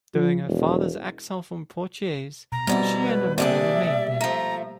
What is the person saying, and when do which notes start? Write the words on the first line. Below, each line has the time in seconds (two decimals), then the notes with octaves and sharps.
During her father's exile from Poitiers she and her mother remained there.
0.14 F3
0.47 E1
2.52 B2 A#5
2.67 F2 B2 G3 B3 E4 D5
3.03 B4
3.38 C3 A#3 D4 G4 G#4 D5 E5
4.21 F3 A3 A#5